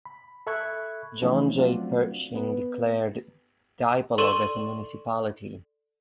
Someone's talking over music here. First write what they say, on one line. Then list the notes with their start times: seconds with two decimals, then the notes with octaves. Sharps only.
John J. Pershing declared Dipolog as a Municipality.
0.05 B5
0.47 A4 E5 B5 C#6 F#6 G#6
1.22 E3 F3 A3 C#4 D#4
1.56 F#3 A3 C4 D4 F4 F#4
2.35 B3 B4
4.18 A4 D5 C6 C#6 D#7 E7